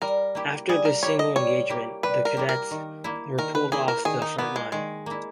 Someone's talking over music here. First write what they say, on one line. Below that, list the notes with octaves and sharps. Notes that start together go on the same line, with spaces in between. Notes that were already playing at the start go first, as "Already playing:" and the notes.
After this single engagement, the cadets were pulled off the front line.
G3 A#4
A#3 E4 G4
G3 G#4
A#4
A#3 E4 G4 C#5
D#5
G3 C#5
A#3 E4 G4
G3 B4
A#4
A#3 E4 G4
A#4
D#3
A#3 E4
D#3 A#4
B4
A#3 E4 G#4
A#4
D#3 G#4
D#4
A#3 B3 E4
G#3
D#3 G#3
A#3 E4